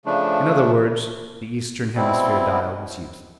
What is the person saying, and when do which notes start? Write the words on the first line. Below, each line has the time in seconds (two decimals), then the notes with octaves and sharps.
In other words, the eastern hemisphere dial was useless.
0.05 C#3 F3 A3 D4
1.94 B2 G3 C4 E4